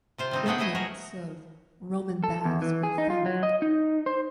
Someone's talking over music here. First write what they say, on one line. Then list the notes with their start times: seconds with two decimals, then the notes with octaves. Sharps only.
Remnants of Roman baths were found.
0.18 C3 F4 C5
0.31 G3 C4 D#4
0.46 A3 B3 G#4 F#5 G5
0.58 F#3 A3 E4 G#4 D#5 G#5
0.75 F#4 A#4 C#5
2.24 A4
2.45 E2
2.62 E3
2.83 G#4
2.98 D#4
3.10 F4
3.26 F#3
3.43 D#5
3.62 D#4
4.06 C5